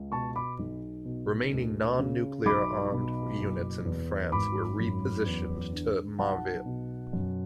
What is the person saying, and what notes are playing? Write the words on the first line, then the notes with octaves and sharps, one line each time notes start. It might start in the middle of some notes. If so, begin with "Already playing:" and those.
Remaining non-nuclear armed units in France were re-positioned to Marville.
Already playing: C#2
B2 A5 C#6
B5 D6
B1
B2
D2
C#3
B1 B5 D6
B2
F#1
E2
G#1 B5 D6
F#2
E2
D3
B1 F#5 A5
B2
F#2